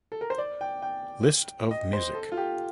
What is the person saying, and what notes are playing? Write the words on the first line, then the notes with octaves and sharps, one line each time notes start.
List of music.
A4
A#4
C5
D5
G5
G5
D#5
C5
A4
F4
G4